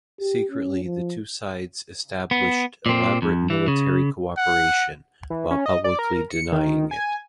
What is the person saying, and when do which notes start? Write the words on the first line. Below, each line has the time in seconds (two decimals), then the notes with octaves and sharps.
Secretly the two sides established elaborate military cooperation, while publicly denying it.
0.20 G4
0.51 C#4
0.84 F3
2.31 B3
2.86 A#2 C4
3.22 F2
3.50 E3
3.68 C#3
4.38 F#5
5.30 E3
5.51 C#4
5.66 D#5
5.84 D5
5.99 A#4
6.31 C#7
6.52 D#3
6.91 G#5